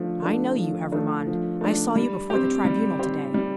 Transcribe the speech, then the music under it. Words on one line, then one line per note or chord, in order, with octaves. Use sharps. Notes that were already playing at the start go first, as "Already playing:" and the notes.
I know you, Evremonde; I saw you before the Tribunal to-day.
Already playing: F3 A3 D4
A3 D4
F3
A3 D4
F3
A3 D4
G3
C4 G4
G3
C4 G4
G3